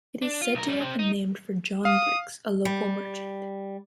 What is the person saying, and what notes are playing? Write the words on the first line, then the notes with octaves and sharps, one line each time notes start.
It is said to have been named for John Briggs, a local merchant.
D4
F4
B1 A#4
F#2 G3
C4 G4
D#4
F5 D#6
G3